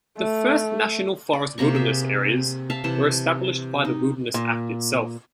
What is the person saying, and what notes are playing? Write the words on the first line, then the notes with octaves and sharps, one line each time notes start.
The first national forest wilderness areas were established by the Wilderness Act itself.
A3
D5
C3 A#3 A#5 C#6
G#4 E5
E5 F5 A5
C3 E3 A5
D#4
A#2